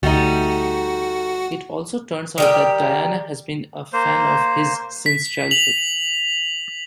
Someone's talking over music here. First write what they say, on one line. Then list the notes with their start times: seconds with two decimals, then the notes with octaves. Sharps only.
It also turns out that Diana has been a fan of his since childhood.
0.03 D2 G3 A3 D#4 F#4
2.38 D#3 G3 G4
3.93 A#3 C5
5.06 B6
5.51 F7 F#7